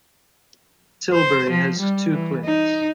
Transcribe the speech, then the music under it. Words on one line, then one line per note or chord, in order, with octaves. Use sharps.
Tilbury has two clinics.
C5
F3
G3
E3
D#4